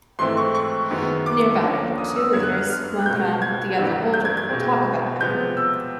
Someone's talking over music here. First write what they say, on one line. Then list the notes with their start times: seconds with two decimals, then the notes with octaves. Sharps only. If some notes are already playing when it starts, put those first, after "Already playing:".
Nearby, two waiters, one young, the other older, talk about him.
0.19 G#2 E3 A3 C4 C6
0.37 C#6
0.55 C#6
0.90 F#2 D#3 G#3 B3
1.26 D6
1.62 D#2 D3 F3 A#3 C#4
1.98 D#6
2.16 E6
2.33 F#2 D3 F#3 B3 G#6
2.43 F#6
2.52 F6
2.61 F#6
2.70 F6
2.99 F#6
3.06 C#2 B2 G#3 C4 G6
3.42 G#6
3.78 G2 E3 G3 A#3
4.14 G6
4.25 G#6
4.37 G#6
4.49 B2 G#3 C4
5.21 C3 F3 G#3 B3 G6
5.57 E6